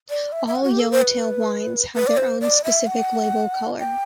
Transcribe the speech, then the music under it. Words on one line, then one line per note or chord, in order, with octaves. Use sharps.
All Yellow Tail wines have their own specific label color.
D5
E5
E5
F#5
F#4
G4
A4
C5
B4
B4
D5
C5
D5
E5
F#5
G5